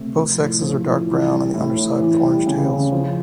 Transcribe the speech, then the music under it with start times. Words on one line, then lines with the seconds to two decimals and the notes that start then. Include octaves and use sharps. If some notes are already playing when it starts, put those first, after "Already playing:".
Both sexes are dark brown on the upperside with orange tails.
Already playing: C3 A3
0.16 F3
0.39 A2
0.62 F3
0.84 A2
1.07 E3
1.31 G3
1.54 A2
1.77 A2
2.00 E3
2.23 G3
2.46 C#3
2.69 C#3
2.92 F3